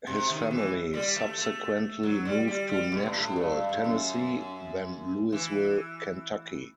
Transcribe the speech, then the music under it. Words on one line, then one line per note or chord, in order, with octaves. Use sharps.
His family subsequently moved to Nashville, Tennessee, then Louisville, Kentucky.
C3
D#3
E3
G3
A3
A3
F#3
G3
G3
G3
B2
G2
A2
G2
G2
G2
F#2
E3